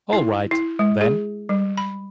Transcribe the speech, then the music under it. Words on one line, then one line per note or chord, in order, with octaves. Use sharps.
All right, then.
E4
E4
G#3
G#4
G3
B5